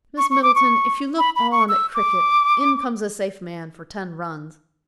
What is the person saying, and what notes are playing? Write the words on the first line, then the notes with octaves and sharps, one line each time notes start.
Miss Middleton, if you look on at cricket, in comes a safe man for ten runs.
C#6
C#6
D6
C#6
B5
B5
C#6
E6
D6